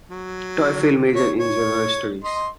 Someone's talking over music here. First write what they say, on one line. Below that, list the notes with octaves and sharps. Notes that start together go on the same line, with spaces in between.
Toefield majored in general studies.
F#3
C#5
C#5
D#5 C6